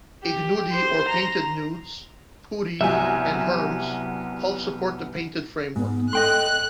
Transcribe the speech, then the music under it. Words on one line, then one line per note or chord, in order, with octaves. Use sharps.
"Ignudi" or painted nudes, putti, and herms help support the painted framework.
G4
C5
A#5
C2 F#3 B3 G4 E5 G#5
G#2 B3
A4 D#5 G5 C6 F#6